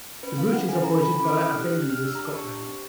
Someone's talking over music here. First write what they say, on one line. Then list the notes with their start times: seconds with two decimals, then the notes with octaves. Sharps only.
The route is operated by Abellio ScotRail.
0.23 C#4 B4
0.38 E4 A4 F5
0.53 C#4 F#5
0.68 E4 A4 G#5
0.83 C#4 A#5
0.99 E4 A4 B5
1.14 C#4 B5
1.24 D6
1.30 E4 A4 D#6
1.44 D4 F6
1.60 G4 F#6
1.74 D4 F#6
1.90 G4 F6
2.05 D4 E6
2.15 A#5
2.21 G4
2.26 A5
2.35 D4 C#6
2.50 G4
2.66 C4